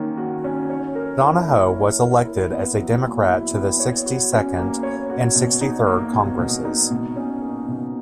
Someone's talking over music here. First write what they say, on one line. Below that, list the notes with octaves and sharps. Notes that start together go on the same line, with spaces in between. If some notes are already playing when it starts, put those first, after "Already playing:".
Donohoe was elected as a Democrat to the Sixty-second and Sixty-third Congresses.
Already playing: D#3 A#3 C#4
F#4
C#4
C#5
A#4
E4
A#3
C#5
A#4
E4
B3
F#3
A#2
E4
B3
C#5
F#4
C#4
A#3
C#5
F#4
B2
D#4
A#3
B2
B2
D#4
B2
C#4
A#3
B2